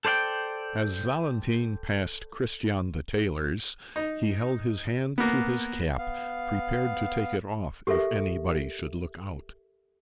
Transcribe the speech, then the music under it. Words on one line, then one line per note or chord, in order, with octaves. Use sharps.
As Valentine passed Christian the tailor's, he held his hand to his cap, prepared to take it off if anybody should look out.
A4 C5 D5 F5 G5
D#4
A#3 B3
B3 F5
G4 A4 A#4 E5